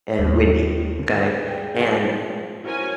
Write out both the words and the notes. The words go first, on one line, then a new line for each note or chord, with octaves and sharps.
and windy. Okay? And,
D#2
G#4 G5
F3
C#4 E4 F#4 A#4 C5 G#5